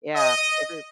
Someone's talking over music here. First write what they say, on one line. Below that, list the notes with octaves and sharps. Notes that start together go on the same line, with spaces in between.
yeah, every
D#5